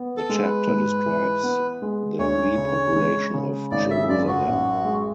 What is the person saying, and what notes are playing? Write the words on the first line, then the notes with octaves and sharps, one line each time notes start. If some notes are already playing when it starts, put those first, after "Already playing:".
The chapter describes the repopulation of Jerusalem.
Already playing: B3
A4
G#3
B4
G#2
E3
B3
G#3
D2 C#5
C#3
G#3
C#3
G#1 D5
E5
F#2 D5
F#4
A1
G#3